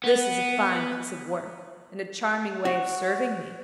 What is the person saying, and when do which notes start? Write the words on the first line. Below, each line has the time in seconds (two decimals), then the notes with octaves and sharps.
This is a fine piece of work, and a charming way of serving me!
0.04 B3
2.65 F#4